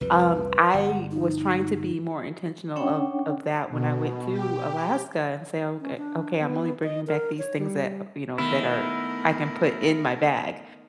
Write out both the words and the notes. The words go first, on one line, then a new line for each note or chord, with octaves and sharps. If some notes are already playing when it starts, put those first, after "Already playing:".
um, I was trying to be more intentional of of that when I went to Alaska, and say, "Okay okay, I'm only bringing back these things that" you know, "that are I can put in my bag."
C2 F2 G3 B4
G1 F#5
D#4
C#4 D4 C#5 F#5 G5
B2
G4
C#4
D4
B3
D#5
A#4
C#5
G3
D#3 A3 B3 E4 A#4 B5